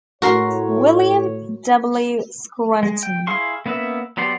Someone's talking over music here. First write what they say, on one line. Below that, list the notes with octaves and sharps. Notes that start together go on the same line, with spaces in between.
William W. Scranton.
A2 F#4 A#4 C#5 C6
G#3
G5
E4 G#4 F5 C6 C#6
A#3 B3 C#4 B4 E5
F#3 B3 G4 D5 C6